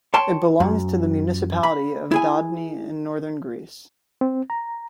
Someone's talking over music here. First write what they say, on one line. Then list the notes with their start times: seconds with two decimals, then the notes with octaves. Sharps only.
It belongs to the municipality of Dodoni in northern Greece.
0.14 C#5 G5 A5 C6
0.60 F#2
1.63 B5
2.11 E4 G#4 G#5
4.21 C4
4.50 A#5